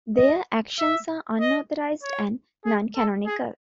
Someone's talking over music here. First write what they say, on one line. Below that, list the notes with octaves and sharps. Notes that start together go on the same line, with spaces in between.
Their actions are unauthorized and non-canonical.
D#5
E5
D#5
C#5
G#4
A4
G#4